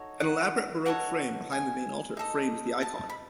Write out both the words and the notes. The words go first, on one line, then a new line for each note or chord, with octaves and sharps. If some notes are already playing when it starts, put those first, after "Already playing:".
An elaborate baroque frame behind the main altar frames the icon.
Already playing: D#4 F#4 A4 C#5
F#5
D#4 F#4 A4 C#5 F#5
G#5
D#4 A4 D#5
A5
B5